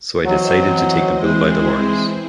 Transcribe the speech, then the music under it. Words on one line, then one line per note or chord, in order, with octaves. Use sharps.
So I decided to take the bull by the horns.
E3 F#3 C4 F#4 C5 D#5
E3 G#3 C4 E4 G#4 C5